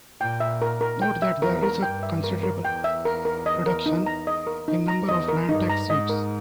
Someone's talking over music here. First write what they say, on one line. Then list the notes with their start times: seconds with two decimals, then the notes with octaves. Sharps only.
Note that there is a considerable reduction in the number of Landtag seats.
0.20 A#2 G5
0.40 E5
0.62 A#4
0.81 A#4
1.02 G5
1.22 E5
1.42 E2 A#4
1.63 A#4
1.83 G2 G5
2.03 E5
2.24 A#4
2.43 A#4
2.64 E2 G5
2.84 E5
3.05 A#4
3.25 A#4
3.46 D#5
3.66 A#4
3.86 D#4
4.06 A#5
4.27 D#5
4.47 A#4
4.68 D#4
4.88 A#5
5.08 E2 D#5
5.28 A#4
5.49 G2 D#4
5.70 A#5
5.89 G#2 D#5
6.09 A#4